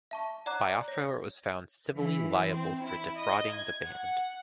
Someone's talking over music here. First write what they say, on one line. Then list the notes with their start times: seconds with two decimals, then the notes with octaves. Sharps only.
Biafra was found civilly liable for defrauding the band.
0.11 E5 A5 C#6
0.46 C#5 D5 F#5 A#5 D6 F#6
0.88 C#5 A#6
1.97 E3
2.48 C4
2.84 E4
3.18 D#5
3.52 G#6
3.91 F#5